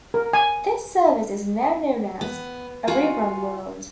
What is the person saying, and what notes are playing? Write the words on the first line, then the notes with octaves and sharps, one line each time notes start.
This service is now known as Arirang World.
A#4
G#5
B3
F4 F#4 G#5